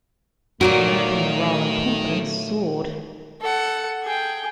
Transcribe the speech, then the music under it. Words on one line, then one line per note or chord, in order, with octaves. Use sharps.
American morale and confidence soared.
A#2 D#3 F#3 A3 A#3 F#4 A#4
A4 F#5
G#4 G5